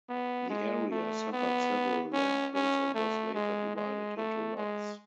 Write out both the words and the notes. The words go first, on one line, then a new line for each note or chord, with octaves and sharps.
The area suffered several landfills and was later divided into lots.
B3
G#3
A3
B3
C#4
C#4
A3
G#3
G#3
A3
G#3